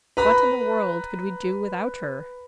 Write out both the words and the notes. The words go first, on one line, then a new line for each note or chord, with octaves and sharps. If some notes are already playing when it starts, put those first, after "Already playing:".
What in the world could we do without her?
B4 A#5 B5